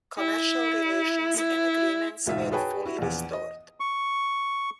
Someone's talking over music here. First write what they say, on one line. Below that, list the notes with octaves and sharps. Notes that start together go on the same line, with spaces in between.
Commercial relations and agreements were fully restored.
E4
E4
E1 D2 G#2 D#4 F4 E5
F#4 G#4 B4 C#5 G5 A5
E4 F#4
A#1 E2
D#5
C#6